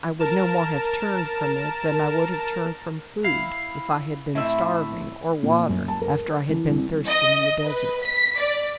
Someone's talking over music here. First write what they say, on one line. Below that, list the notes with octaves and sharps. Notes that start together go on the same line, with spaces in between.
I would no more have turned from it than I would have turned from food, if I had been starving; or water after I had been thirsting in the desert.
A#4 A5 E7
E4 F5
A2 C4 E4 E5
A#2
F#2
A5
A#4
E3
C2
D#5
B4
B6
D5